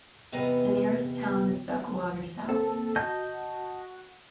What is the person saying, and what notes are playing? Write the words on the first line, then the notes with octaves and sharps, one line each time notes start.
The nearest town is Duckwater, south.
E2 C3 B3 B4 D#5 A#5
A#3 C4 A4
F#4 D#5 A5 G6